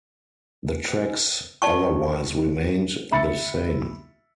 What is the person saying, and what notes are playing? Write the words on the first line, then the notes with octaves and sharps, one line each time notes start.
The tracks otherwise remained the same.
D5 A5 C#6
E5 B5 A6 C#7